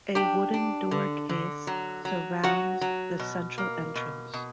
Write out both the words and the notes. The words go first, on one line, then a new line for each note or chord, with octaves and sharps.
A wooden door case surrounds the central entrance.
D4 G4 G5
D4
D3
D3
F#3
F#3
F#3 F#4 F#5
F#3
B2
A#3
B2
B2